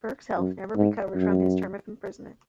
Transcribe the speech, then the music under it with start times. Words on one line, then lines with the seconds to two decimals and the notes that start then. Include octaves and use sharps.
Burke's health never recovered from his term of imprisonment.
0.37 F#2
0.76 G#2
1.15 F#2